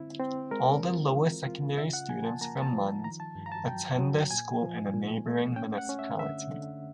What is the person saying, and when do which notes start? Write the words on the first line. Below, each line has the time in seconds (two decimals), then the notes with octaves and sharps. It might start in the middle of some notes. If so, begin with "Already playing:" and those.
All the lower secondary students from Mund attend their school in a neighboring municipality.
Already playing: D3 C4 E4
0.20 C4
0.51 G#3 A#4
0.83 F4
1.15 E3
1.46 F4
1.78 C#3 E5
1.93 F#5
2.09 F3 G#5
2.25 A5
2.41 A#3 A#5
2.62 A5
2.72 F3
3.04 D#3 A#5
3.20 A5
3.35 G2
3.46 A#5
3.52 A5
3.67 F#3 G5
3.98 F#3
4.31 A#2 G#5
4.63 F3
4.94 A#2
5.26 A3
5.56 C#4 G5
5.78 F#5
5.89 C#4
5.99 E5
6.19 D3 E5
6.51 D3